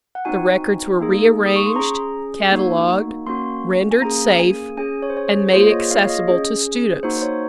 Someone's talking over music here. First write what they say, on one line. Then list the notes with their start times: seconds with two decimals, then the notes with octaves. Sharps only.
The records were rearranged, catalogued, rendered safe, and made accessible to students.
0.15 F#5
0.25 C4 D#4 F#4 G#5
1.00 A#3 D#4 G#4
1.46 D#6
1.56 C#6
1.66 C6
1.75 C#4 G#4 A#5
2.51 A#3 D#4 F#4
3.27 A#3 C#4 F#4 C6
3.91 G#5
4.02 A#3 C#4 G#4 A#5
4.39 G#5
4.77 C#4 G#4 G#5
5.02 C#5
5.10 C5
5.17 C#5
5.28 C#5
5.53 A#3 F4 G#4 C5
5.66 D#5
5.71 C#5
5.91 F5
6.05 C#5
6.10 D#5
6.28 C#4 G#4
7.03 A#3 D#4 F#4 C5
7.17 C5
7.22 C#5